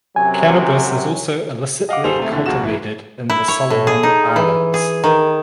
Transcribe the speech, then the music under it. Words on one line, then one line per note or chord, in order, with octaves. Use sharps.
Cannabis is also illicitly cultivated in the Solomon Islands.
F#2 C3 F#3 G#5
D#5 F5 F#5 D6
G1 G3 G#4 A4 C5 F7
C3 A3
F2 A2 D3 E3
B1 G#3 F4 F#4 E7
G1 E3
E4
C#5
A2
G#4
D#4
E3
G#4
D#3